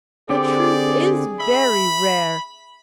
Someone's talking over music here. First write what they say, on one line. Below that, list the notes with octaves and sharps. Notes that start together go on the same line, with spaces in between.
The truth is very rare.
D3 C4 G4 G#4 D5
E5 B5